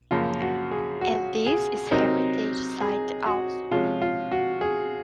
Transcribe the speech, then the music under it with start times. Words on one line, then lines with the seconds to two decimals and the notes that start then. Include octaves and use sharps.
And this is heritage site also.
0.11 F#2 C#3 F3 A#3 F4
0.42 F#4
0.71 G#4
1.01 F#4
1.46 G#4
1.91 C3 F#3 C4 D#4 A#4
2.81 G#4
3.27 F#4
3.71 C3 F3 G#3 C#4 F4
4.02 F4
4.32 F#4
4.61 G#4